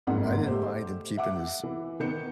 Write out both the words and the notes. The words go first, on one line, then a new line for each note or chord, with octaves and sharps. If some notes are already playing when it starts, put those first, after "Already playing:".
I didn't mind him keeping his
G1 F2 G#2 A#3 F#5
A3 G4 C5
E5 F#5 D6
E3
D#3 B3 G6 C#7